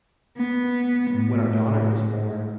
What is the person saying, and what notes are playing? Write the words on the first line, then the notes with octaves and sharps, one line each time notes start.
when our daughter was born
B3
A2